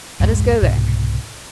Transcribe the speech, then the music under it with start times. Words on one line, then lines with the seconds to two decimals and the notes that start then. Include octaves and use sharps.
"Let us go there."
0.20 C2 F2 G#2 G#3
0.62 C2 G#2 B2